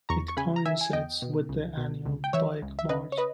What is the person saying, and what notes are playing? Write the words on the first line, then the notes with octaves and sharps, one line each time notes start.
It coincides with the annual Dyke March.
E2 A#5 C#6
C#6
C#3 G#5 B5
A#5
E3 E5 G#5
G#5
E2 D#5 G5
B2
C#2
B2
C#2
G5
E3 C#5 E5
C#2
E5
C#3 B4 D#5
C#5
B4 D#5